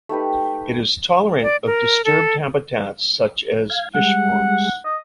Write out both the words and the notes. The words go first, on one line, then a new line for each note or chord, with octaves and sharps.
It is tolerant of disturbed habitats such as fish ponds.
A3 D#4 G4 B4
D5
A#4
A4
F5 G#6
G3 G#3 F#5
D#5